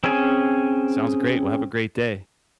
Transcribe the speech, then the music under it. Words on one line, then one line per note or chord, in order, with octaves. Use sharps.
Sounds, great, well, have a great day.
C4 C#4 G#4 G#5